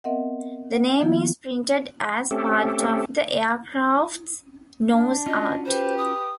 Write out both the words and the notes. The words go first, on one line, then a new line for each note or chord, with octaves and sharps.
The name is printed as part of the aircraft's nose art.
B3 C4 A#4 D#5 E5 F#5
F#5
D#3 F3 A#3 B3 E4 F4
A3 C4 C#4 G4 A4
D4
C#4 F4 F#4 D#5
G4 B4 C5
D#6